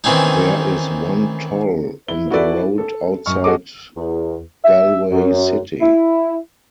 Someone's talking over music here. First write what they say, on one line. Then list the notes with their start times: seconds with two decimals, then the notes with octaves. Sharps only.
There is one toll on the road outside Galway city.
0.04 D#3 E3 C4 C#4 D#4
2.08 E4 G7
2.30 E4 F#4 A4 B4 D5 E5
2.78 A4
3.26 F#2 C#6 F6
3.44 F#4 G#4 A4 D#5 D6
3.96 E2
4.63 E5
5.11 F#2
5.81 E4